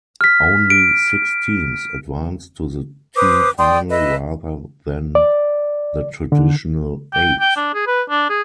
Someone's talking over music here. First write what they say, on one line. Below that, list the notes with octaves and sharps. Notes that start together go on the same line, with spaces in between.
Only six teams advanced to the team final rather than the traditional eight.
F6 B6
D7
B4 C5 D6 D#6
D5 G5 C6 D#6
B4 D#5 E5
D5
D3
G5
G5
D4
G#4
B4
D4
G#4